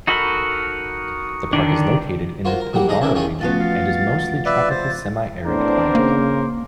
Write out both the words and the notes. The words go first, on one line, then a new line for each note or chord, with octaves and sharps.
The park is located in the Pilbara region, and is mostly tropical semi-arid climate.
D#4 F#4 A4 A#4 B5
D3 D#3 D4
F4 F#4 A#4 C5 C#5
A#4
F#3 G3 A#3 G4 F#5
D3 G#3 D#4 G#4 D#5 D6
C#4 D4 E4 A#4 B4 E5
D#3 C#4 F4 G#4 C#5
F3 A3 B3 C#4 F4 F#4 A6
F5
B4 D5 E5
C5 A6
A2 B3 C4 D4 A#4 C5 D6
C#3 A#3